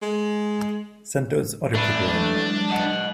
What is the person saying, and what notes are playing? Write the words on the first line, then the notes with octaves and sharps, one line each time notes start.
Send those other people in.
G#3
E3 F#3 G#3 A3 D4 B4
D#5 F#5